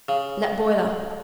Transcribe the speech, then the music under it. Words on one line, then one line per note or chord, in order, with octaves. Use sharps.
Let boil up.
C#3